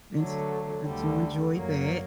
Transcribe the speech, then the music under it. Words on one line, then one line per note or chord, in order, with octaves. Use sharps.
and s I do enjoy that.
D3 F#3 A3
D2 D3 G3
F#2 F#3 A#3